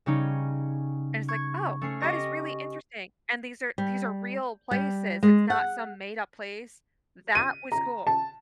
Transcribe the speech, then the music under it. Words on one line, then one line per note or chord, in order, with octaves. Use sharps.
and it's like, "Oh, that is really interesting," and these are these are real places, it's not some made-up place. That was cool.
C#3 G3 C#4 D#4
C#6 G#6
A3 C#4 C7
G4 D#5 C#6 A#6
G3
G3
G#3
F#5
D#7
A#5
A5